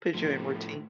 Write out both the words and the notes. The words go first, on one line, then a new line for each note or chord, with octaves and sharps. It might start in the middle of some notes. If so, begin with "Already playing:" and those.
Put you in routine.
A2 F3